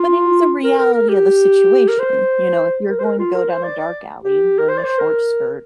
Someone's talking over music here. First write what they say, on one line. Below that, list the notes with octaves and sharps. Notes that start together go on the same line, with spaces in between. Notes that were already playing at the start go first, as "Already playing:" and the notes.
But in s the reality of the situation, you know, if you're going to go down a dark alley wearing a short skirt,
Already playing: F4
A#4
A#4
A#4
G4
A#4
C5
A#4
C5
A#4
F4
A#4
C5
D5
D5
G4
A#4
C5
D5
C5
A#4